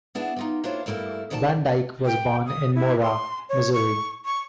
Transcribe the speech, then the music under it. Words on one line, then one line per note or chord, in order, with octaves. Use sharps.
Van Dyke was born in Mora, Missouri.
B3 D4 E4 G#4
D#4 F4 G4
A#3 D4 E4 F4 C5 C#5
G2 G3 A3 A#3 E4
C3 D#3 C5 D5 F5 A5
G5
D#6
E4
C6
C#5
C#6
C#6